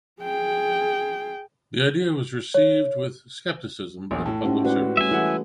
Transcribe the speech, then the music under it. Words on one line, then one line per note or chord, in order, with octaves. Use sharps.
The idea was received with skepticism by the public service.
G#4 G5
C#5
A#1 E2
A2 A5
C#4 D#4 E4 G4 C5 F#5
G#3 F#4 B4 D5 F#5
G3 A3 C#4 E5 G#5
E3 G#4 A4 F#5